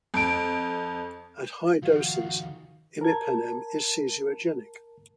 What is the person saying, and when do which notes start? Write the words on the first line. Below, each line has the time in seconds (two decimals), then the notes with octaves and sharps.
At high doses, imipenem is seizurogenic.
0.14 F2 D7
1.83 D#3 F3 F#4 F5
3.01 A#4 A5 G#6